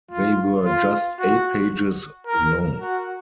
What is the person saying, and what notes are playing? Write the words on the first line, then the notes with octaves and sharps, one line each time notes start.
They were just eight pages long.
F4
F4
F#4
A#4
F#4